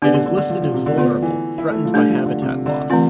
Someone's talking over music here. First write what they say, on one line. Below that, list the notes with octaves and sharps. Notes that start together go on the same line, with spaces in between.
It is listed as vulnerable, threatened by habitat loss.
D3 B3 D4 G4 B4 D5
D3
D3
D3
F3
F3
C3
D3
D3 B3 F4 B4
E3
E4
A3
F3
G3 A3 D4 A4
F3
D3
C3
D3
E3 A3 C4 F4